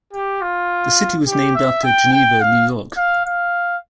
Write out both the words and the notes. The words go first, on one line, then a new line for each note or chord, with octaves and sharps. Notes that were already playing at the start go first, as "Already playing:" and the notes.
The city was named after Geneva, New York.
G4
F4
G4
E5
G5
G5
F5
F5
F5